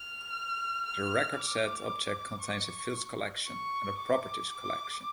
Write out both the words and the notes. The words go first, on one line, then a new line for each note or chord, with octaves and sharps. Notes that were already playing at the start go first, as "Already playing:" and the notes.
The Recordset object contains a Fields collection, and a Properties collection.
Already playing: F6
F6
D6
C#6
C#6
D6
D6